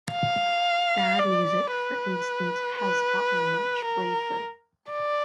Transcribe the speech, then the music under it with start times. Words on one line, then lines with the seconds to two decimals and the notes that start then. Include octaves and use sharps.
Bad music, for instance, has gotten much briefer.
0.12 F5
1.19 D5
1.72 B4
2.79 B4
3.85 A#4
4.92 D5